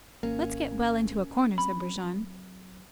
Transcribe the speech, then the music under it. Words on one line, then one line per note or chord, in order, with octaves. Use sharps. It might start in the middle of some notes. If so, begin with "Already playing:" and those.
"Let's get well into a corner," said Brujon.
G#1 A#3 C#4
F#3 C4 B5